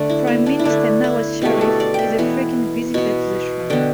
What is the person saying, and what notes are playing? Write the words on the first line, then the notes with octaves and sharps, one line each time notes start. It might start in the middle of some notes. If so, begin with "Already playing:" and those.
Prime Minister Nawaz Sharif is a frequent visitor to the shrine.
Already playing: D3 A3 D4
E4
B3
D4
E4
D3 A3 D4
E4
B2 A3 G4
A4
D5
E5 G5
E3 B3
B2 B3
D3 B3 G5